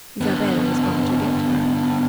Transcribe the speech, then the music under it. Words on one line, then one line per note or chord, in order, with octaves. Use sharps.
Isabel has gone to get her.
D3 B3